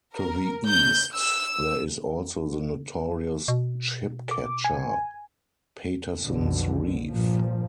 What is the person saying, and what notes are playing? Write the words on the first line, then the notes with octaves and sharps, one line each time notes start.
To the east there is also the notorious "ship catcher", Paterson's Reef.
A#4
G6
E6
B2
D6
G#5
B1 F2 B2 D3
G2 A#2 F3